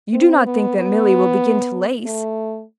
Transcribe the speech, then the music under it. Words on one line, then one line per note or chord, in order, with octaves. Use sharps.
"You do not think that Milly will begin to lace?"
C4
B3
B3
A3